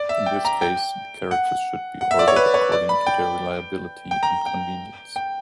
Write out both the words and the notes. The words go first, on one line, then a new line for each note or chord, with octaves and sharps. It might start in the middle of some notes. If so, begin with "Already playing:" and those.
In this case, the characters should be ordered according to their reliability and convenience.
Already playing: D5
E5
G5
A#5
G5
F#5
F#5
E5
D5
C#5
B4
C#5
D5
B5
G5
G5
A#5
G5
G5